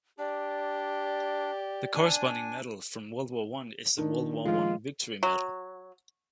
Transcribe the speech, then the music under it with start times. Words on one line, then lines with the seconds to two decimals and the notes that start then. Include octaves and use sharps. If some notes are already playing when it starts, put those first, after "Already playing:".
The corresponding medal from World War One is the World War One Victory Medal.
0.19 D4 G4 D5
1.95 D4 G#5
3.98 D#3 D4
4.46 F3 G#3 F4
5.23 F#3